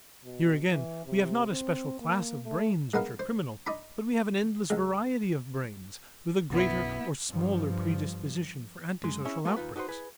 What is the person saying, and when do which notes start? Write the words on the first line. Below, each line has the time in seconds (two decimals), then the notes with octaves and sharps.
Here again we have not a special class of brains which are criminal; but we have an endless variety of brains with a greater or smaller predisposition for antisocial outbreaks.
0.24 B2
0.70 E3
1.06 C3
1.51 C4
2.00 A#3
2.45 A3
2.94 G#3 B3 A#4 F5
3.19 C5
3.66 D#4 D5 A#5 B5
4.70 C#2 G#3
6.50 B1 F#2 B2 B3 E4
7.28 G2 F3
9.04 F#2 G#3
9.25 C#4 E4 G#4
9.45 G#3 A3 B3 F4 G4 A#4
9.56 D#2 D#4 F4 B4
9.76 D#4 F#4 G4 B4 C5
9.88 E4 G#4 B4